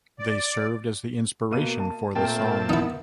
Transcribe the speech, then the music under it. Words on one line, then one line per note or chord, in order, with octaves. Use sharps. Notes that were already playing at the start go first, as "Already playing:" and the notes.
They served as the inspiration for the song.
D5
B2 A#3 D#7
A5
A#2 A3 C4 A#4 G5 A5
B3 D#4 E4